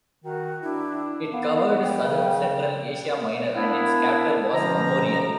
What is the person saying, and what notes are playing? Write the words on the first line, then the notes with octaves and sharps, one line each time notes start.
It covered southern central Asia Minor, and its capital was Amorium.
D#3 F#4
D4 E4
B3 F5
G5
C#3
A#3 B3 D4 E4
B2 D3 F3 C#4 A#5